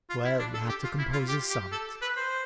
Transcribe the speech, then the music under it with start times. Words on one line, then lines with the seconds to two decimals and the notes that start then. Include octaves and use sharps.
Well, you have to compose a sonnet.
0.10 F4
0.25 E4
0.39 D4
0.54 A4
0.69 G4
0.84 F4
0.99 E4
1.13 F4
1.28 G4
1.50 G4
1.72 A4
2.02 B4
2.17 C5